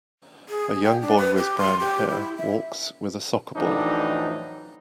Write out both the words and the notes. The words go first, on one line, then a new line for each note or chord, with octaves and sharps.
A young boy with brown hair walks with a soccer ball.
G#4
G5
D4
B4
G4
C6
G4
E4
E5
F2 A2 E3 F#3 D4 D#4